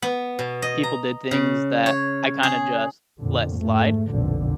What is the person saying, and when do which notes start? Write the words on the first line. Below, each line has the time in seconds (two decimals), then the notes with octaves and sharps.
people did things that I kinda just let slide.
0.02 B3
0.39 B2
0.62 D#5
0.83 A#5
1.31 C#3
1.86 C#5
2.43 G#4
3.20 F2 A#2 D3
3.57 G#2 A3
4.09 B1 F2 A#2 D3